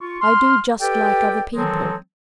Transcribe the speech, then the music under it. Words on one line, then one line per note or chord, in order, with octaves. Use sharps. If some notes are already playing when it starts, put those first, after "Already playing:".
I do just like other people.
F4 C#6
C6 F6
G4 A4 B4 D5 G5
D#3 E3 F#3 G#3 C4 A4